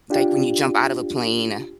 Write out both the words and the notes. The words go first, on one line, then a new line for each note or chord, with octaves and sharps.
like, when you jump out of a plane
D4 F4 G4